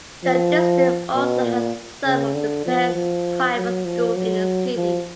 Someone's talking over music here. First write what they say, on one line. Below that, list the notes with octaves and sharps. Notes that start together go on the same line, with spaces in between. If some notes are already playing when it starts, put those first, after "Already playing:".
The district also has some of the best private schools in the city.
F3
B2
A#2
C#3
D3
F3
F3
F#3
F3
F#3
F3